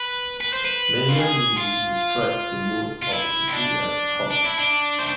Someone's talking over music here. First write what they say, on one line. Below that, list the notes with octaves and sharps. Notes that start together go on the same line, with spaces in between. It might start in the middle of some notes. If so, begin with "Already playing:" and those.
Mayor Lindsay described the mood of the city as "taut".
Already playing: B4
B4
C5
B4
F4
G#4
F4
F4
E4
C4
D4
D4
E4
D4
C5